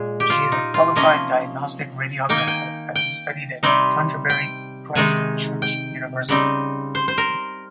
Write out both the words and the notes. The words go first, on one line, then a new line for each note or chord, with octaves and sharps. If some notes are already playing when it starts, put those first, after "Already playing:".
She is a qualified Diagnostic Radiographer having studied at Canterbury Christ Church University.
Already playing: A#2 G#3 G#4
G4
F4
D#4
F4
C3 F3 A#3 C#4 D#5
D#3 A#3 D#4 G5
G#5
G5
G5
C3 G3 C4 D#4
G5
C3 D#3 G#3 D#4 G#5
G5
C#3 G3 C4 D#4
C5
C5
A#4